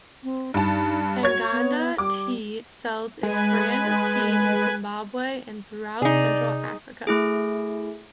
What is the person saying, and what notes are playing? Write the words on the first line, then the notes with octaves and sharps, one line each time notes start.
Tanganda Tea sells its brand of tea in Zimbabwe and throughout central Africa.
C4
G2 D#4 A5
F#4 C#5 G#6
B3
G3 D6
G#3 B4 G#5
C3 D#4 G#4 D5
A3 E4 G#4